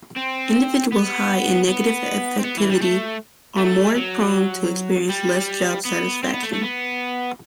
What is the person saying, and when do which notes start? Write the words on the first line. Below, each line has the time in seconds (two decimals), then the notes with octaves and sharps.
Individuals high in negative affectivity are more prone to experience less job satisfaction.
0.16 C4
0.92 B3
1.68 B3
2.39 C4
2.44 B3
2.57 E3
2.69 G3
2.82 A3
3.58 A3
3.95 F#3
5.09 G3
5.85 B3
6.23 C4
6.33 B3
6.43 A3
6.53 A3
6.62 B3